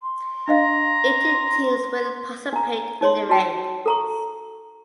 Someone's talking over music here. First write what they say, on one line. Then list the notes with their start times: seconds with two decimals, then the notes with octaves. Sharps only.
Eighteen teams will participate in the race.
0.02 C6
0.48 D4 D#5 F5 A#5
2.53 D4 A#5
3.01 D#4 C#5 C6
3.29 F#4 A5
3.86 A4 A#5 C#6